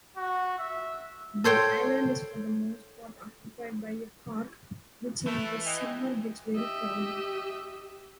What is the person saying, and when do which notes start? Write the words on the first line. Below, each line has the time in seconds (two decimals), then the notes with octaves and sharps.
The island is for the most part occupied by a park which in the summer gets very crowded.
0.17 F#4
0.59 E5
1.44 A4 C5 C#5 G5
5.26 E3 A3
5.65 D#5 G5 G#5
6.55 G4 D#5 E5